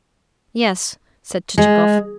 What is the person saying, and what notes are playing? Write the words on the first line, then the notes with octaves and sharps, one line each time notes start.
"Yes," said Chichikov.
G#3